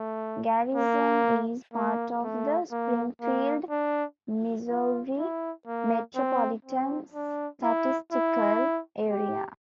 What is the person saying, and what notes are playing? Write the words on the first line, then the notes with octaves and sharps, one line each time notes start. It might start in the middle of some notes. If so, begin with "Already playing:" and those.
Garrison is part of the Springfield, Missouri Metropolitan Statistical Area.
Already playing: A3
A#3
A#3
A3
A#3
A#3
D4
F4
E4
A#3
C4
C4
D4
E4
E4
G4